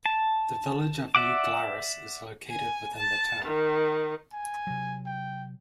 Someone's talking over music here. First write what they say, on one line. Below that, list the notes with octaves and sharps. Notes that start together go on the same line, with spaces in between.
The village of New Glarus is located within the town.
A5
D5 E5 F#5 D6
G#5
A5
D#3
G#5
C3 F#3
G5